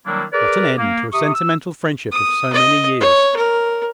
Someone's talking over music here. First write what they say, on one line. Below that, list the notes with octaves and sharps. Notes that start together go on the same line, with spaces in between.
"What an end to a sentimental friendship of so many years!"
D#3 F#3 G3 A#3 D4 E4
G#4 A#4 B4 D5
A#3
C3 C#6 D#6
E6
D#6
D#5
C#5
A#4